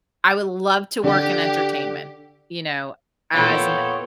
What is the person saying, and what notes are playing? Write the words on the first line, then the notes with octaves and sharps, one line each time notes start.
I would love to work in entertainment, you know, as an
D3 G4
A#2 B3 F4 A4 C#5 G5